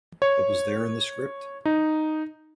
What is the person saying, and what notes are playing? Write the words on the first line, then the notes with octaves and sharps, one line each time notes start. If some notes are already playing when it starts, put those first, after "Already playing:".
It was there in the script.
C#5
D#4